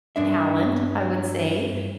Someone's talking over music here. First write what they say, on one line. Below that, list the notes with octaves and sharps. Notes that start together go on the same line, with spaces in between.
talent, I would say,
G2 D4 E5